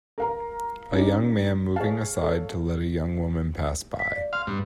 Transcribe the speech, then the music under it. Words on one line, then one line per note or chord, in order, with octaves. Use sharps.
A young man moving aside to let a young woman pass by.
A#4 F5 A#5
C#4 D#4 G4
G#4 C#5 F5 A5
A4
F5 B6
D5
F5 C6
G2